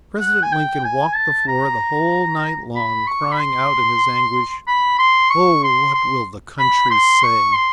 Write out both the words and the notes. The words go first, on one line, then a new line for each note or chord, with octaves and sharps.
President Lincoln walked the floor the whole night long, crying out in his anguish, "O what will the country say!"
F#5
G#5
G5
G#5
A5
A#5
B5
C#6
B5
C6
B5
C6
C#6
C6
C6
B5
C6
C#6
C6